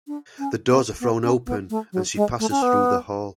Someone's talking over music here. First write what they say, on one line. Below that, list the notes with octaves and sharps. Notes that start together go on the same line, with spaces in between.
The doors are thrown open, and she passes through the hall.
D4
C#4
B3
B3
C#4
B3
A3
F#3
G#3
A3
C#4
B3